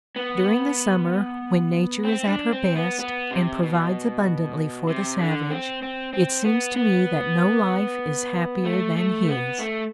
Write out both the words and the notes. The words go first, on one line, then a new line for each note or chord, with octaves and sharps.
During the summer, when Nature is at her best, and provides abundantly for the savage, it seems to me that no life is happier than his!
B3
C4
D4
C4
B3
B3
C3
B2
C3
D3
C4
C4
C4
B3
B3
A3
A3
B3
A3